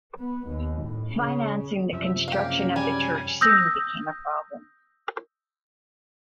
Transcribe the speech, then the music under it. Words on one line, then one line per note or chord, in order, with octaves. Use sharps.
Financing the construction of the church soon became a problem.
B3
D#2
A2
C#3
F#2 C3 F3 E5
C#3 A#3 G4 F5
G3 G#5
D#6 E6 G6 A#6